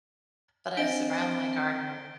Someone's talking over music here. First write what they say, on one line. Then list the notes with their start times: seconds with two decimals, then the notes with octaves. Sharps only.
but I surround my garden
0.77 C4 D4 D#5 E5 D7 G7